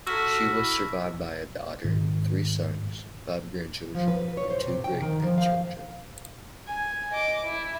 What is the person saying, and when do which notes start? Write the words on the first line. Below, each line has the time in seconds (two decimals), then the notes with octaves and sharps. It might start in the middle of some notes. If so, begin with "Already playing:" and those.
She was survived by a daughter, three sons, five grandchildren; and two great-grandchildren.
0.07 F#4 A4 E6 F6 B6
0.47 E4
1.84 G#2 D#3
3.95 F3
4.08 B4
4.37 C#5
4.51 C5
4.66 C3
4.84 G5
5.02 D#3
5.22 F3
5.38 F5
6.67 G#5
7.12 D#5 D6
7.45 E4